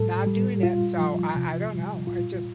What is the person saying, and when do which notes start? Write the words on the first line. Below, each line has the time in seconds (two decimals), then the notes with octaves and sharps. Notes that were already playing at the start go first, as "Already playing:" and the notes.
not doing it, so, I I don't know, I just
Already playing: A2 G3 A4
0.27 G3
0.63 A#2 F4
0.99 F3
1.35 C3
1.71 G3
2.07 A#2 F4